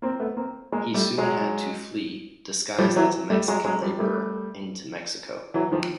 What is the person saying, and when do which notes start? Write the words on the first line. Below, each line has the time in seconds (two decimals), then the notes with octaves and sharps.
He soon had to flee, disguised as a Mexican laborer, into Mexico.
0.02 A#3 C4
0.20 A3 B3
0.37 A#3 C4
0.72 G#3 A#3
0.94 G3 A3
1.18 F#3 G#3
2.78 F3 G3
2.96 E3 F#3
3.30 G3 A3
3.48 F#3 G#3
3.65 F#3 G#3
3.82 F3 G3
3.99 G3 A3
5.54 E3 F#3
5.72 D#3 F3